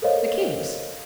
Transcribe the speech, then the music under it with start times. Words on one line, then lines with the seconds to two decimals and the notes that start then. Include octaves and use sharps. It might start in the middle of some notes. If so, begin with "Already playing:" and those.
The king's.
0.02 A4 A#4 C5 C#5 D#5 F5